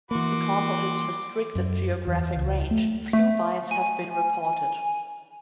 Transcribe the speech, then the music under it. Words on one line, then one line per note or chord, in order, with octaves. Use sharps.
Because of its restricted geographic range, few bites have been reported.
E3 A#3 F#4 C6 D6
F#2
E2
C#2
A3
A3
G#5